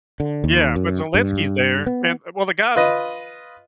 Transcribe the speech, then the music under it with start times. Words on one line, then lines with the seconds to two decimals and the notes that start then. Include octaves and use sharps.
Yeah. But Zelenski's there. And well the guy
0.20 D3
0.44 D#2
0.76 F#2
1.14 G2
1.86 B3
2.76 F4 B4 D#5